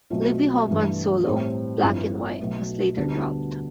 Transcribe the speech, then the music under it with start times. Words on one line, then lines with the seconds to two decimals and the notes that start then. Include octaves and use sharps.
Libby Holman's solo, "Black and White" was later dropped.
0.10 B1 B2 A3 C4 F4
0.68 G2 E3 A3
1.25 A2 G3 C4
1.82 G1 G2 F3 C4 E4
2.39 B1 B2 A3
2.97 D2 D3 G3 B3 D4